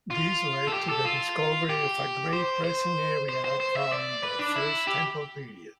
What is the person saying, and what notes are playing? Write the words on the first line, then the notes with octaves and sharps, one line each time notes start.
This led to the discovery of a grape-pressing area from the First Temple period.
F4
A4
G4
A4
F4
G4
C5
C5
C5
C5
C5
E5
D5
B4
D4
E4
G4